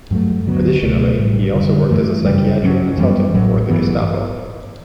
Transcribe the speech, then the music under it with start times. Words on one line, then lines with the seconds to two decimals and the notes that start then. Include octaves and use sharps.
Additionally, he also worked as a psychiatric consultant for the "Gestapo".
0.11 G2 F#3 A3
0.46 D2 D3 F#3 B3
0.82 C#2 B2 A3
1.19 A1 A2 G3
1.55 F#2 D3 G3
1.90 G2 E3 A3
2.25 F#2 C#3 G3
2.62 G2 F#3 C#4
2.98 F#2 E3 G3 B3
3.34 A1 A2 F#3
3.69 A1 G2 E3 B3